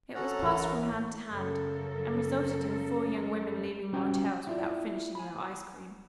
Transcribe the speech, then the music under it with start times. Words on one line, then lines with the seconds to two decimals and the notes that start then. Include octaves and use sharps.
It was passed from hand to hand, and resulted in four young women leaving Martell's without finishing their ice cream.
0.15 F#3 C#4 A4 F#5 A#5
0.42 A1 E4 A#4
1.30 F#2 C#3 A4 A#4
3.93 G3 C#4 F#4 G4 C5 G5
4.47 E4 F4 D5
5.15 G#5 A5 B5